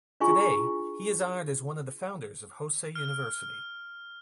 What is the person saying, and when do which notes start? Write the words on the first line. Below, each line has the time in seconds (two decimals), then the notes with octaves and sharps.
Today, he is honored as one of the founders of Hosei University.
0.20 D4 E4 F4 G#4 G#5 C#6
2.95 F6